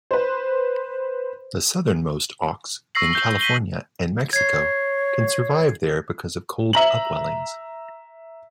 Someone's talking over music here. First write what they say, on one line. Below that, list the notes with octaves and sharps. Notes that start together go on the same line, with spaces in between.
The southernmost auks, in California and Mexico, can survive there because of cold upwellings.
B4 C5
C#6 E6 A#6 C7 F#7
G6 C7 G7
B6 D#7 G7
C#5 G#6 C7
E5 A#5 F#7